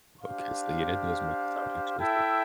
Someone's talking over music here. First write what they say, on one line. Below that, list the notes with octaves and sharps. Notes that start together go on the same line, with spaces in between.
Okay. So, yeah, that does make it sound interesting.
D4 G4 C5 F5
E4 A4 E5 G5